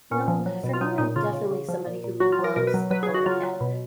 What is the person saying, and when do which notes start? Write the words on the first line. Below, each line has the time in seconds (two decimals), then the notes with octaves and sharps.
Well, for me, I'm definitely somebody who loves to plan ahead.
0.11 A#2 C#4
0.28 F3
0.46 F#3
0.64 B2
0.73 F4
0.81 F#3 D#4
0.98 A#2 D#4
1.16 C#3 F4
1.33 C#3
1.51 C#3
1.69 F3
1.86 A#2
2.04 A#2
2.20 F#3 F#4
2.32 F4
2.39 F#3
2.44 A#4
2.56 B2 A#4
2.67 B4
2.74 F#3
2.91 F#3 B4
3.03 G#4
3.08 C#3
3.14 F#4
3.26 F#3 F4
3.43 F#3
3.61 B2